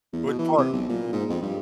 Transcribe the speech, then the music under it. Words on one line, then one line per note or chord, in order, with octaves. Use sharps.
What part
E2
B2
E3
C3
B1
A#2
G#2
F2
G2